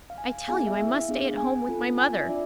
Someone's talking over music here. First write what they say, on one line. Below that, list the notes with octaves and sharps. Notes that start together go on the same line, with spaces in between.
I tell you, I must stay at home with my mother.
F5
G#5
B3 E4 G#4 G#5
E5
F5
B3 D4 G#4
G#5
C4 F4 A4
G#5
E5
D4 F4 D5